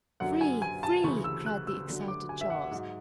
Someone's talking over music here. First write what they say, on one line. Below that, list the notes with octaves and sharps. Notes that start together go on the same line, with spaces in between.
"Free! free!" cried the excited Charles.
F#2 D3 F#3 F#5
G#5
G#5
A5
D2 C#3 E3 C#6
E6
F#6
E6
D2 D3 F#3
D6
G#5
E5
F#5
G#2 F#3